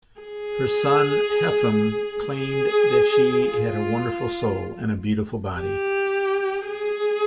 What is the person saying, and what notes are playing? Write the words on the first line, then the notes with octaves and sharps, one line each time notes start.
Her son Hethum claimed that she had a wonderful soul and a beautiful body.
G#4
G#4
F4
G4
G#4